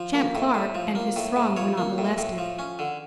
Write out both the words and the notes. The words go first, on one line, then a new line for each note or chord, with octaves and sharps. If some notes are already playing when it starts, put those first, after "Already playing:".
Champ Clark and his throng were not molested.
Already playing: F3
A#3
A2
A2
F3
A#3
A2
A2
F3 C#5
A#3
A2
A2
F3
C#4
D3